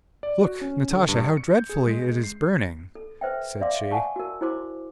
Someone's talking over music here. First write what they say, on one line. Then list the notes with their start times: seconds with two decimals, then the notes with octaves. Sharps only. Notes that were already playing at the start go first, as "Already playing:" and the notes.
"Look, Natasha, how dreadfully it is burning!" said she.
0.23 D5
0.41 F#4
0.61 C#4
0.91 D3
1.09 G2
1.21 C#6
1.37 C#7
1.56 G6
1.69 G#4
1.87 G#3
2.24 C7
2.95 A4
3.21 B4 C5 E5 G5
3.61 D5 E5 F5 C6 D6
3.91 F#5 G#5 A5 C#6
4.16 F#4 A#4
4.41 E4 F#4 C5 C6 D6